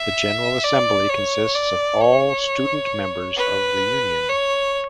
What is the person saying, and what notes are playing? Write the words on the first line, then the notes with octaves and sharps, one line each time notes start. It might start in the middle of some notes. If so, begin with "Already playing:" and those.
The General Assembly consists of all student-members of the Union.
Already playing: E5
D5
C#5
D5
C#5
B4
C#5